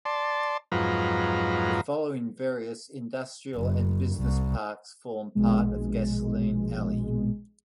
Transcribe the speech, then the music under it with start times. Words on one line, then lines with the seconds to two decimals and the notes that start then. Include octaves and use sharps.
The following various industrial and business parks form part of Gasoline Alley.
0.05 D5 A5 C6
0.72 F2 G#2 F#3 F4 B4 A#5
3.55 F#1
4.16 C2
5.35 A#1 B2 G#3